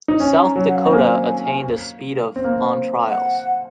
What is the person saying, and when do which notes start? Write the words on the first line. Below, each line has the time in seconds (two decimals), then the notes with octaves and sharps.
"South Dakota" attained a speed of on trials.
0.08 D#4
0.20 C#4 G#5
0.44 A#5
0.56 F#3
0.68 F#5
0.75 F5
0.82 F#5
0.86 C4
0.92 A#3 G#5
2.36 C4
2.44 A#3
2.53 C4
3.08 F#5